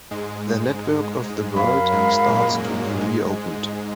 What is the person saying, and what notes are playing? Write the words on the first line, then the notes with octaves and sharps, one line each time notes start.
The network of the world starts to be reopened.
G#2 G#3
F#2 F#3 A#4 F5 B5
G#2 G#3
A#2 A#3
A#2 A#3
G#2 G#3